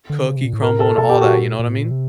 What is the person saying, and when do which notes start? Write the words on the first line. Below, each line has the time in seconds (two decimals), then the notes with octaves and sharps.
cookie crumble and all that, you know what I mean?
0.10 D3
0.27 C#3
0.36 C3
0.45 A#2
0.53 A2
0.62 A#4
0.80 A4
0.98 B2 A4
1.09 G4
1.15 A#2
1.21 F#4
1.59 A#2
1.67 A2
1.79 A#2
1.91 C3